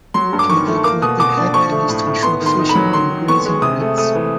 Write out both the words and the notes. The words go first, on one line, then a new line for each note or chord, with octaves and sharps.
Originally they collected 'head pennies' to ensure fishing and grazing rights.
F#3 C6
G2
D6
D#3 C#6
A3
A#3 D6
B2 D#6
B2 D6
D4
F3 C#6
A3
A2
A2
B3 C6
D#3 C6
D#4
B5
F#3
D#3 C6
D#3
B3 C#6
G#3
C3 D#6
A3
A3 D#6
E3